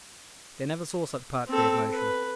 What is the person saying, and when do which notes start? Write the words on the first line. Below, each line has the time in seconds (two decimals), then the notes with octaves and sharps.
They never saw such poetry of motion.
1.48 C4 A4
1.91 B4